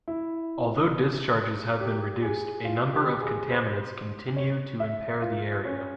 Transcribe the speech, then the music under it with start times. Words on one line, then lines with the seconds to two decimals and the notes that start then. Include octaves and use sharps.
Although discharges have been reduced, a number of contaminants continue to impair the area.
0.08 E4
1.80 G4
2.23 G#4
2.65 F4
2.93 G4
3.22 G#4
3.51 C5
4.36 C#5
4.80 E5
5.22 F4
5.65 C#4